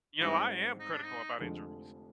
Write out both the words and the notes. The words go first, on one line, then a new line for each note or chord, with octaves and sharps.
You know, I am critical about injuries
G#2 G3 C4 D#4
D#4
D4
D#4
F1 F2 D3 F3 G#3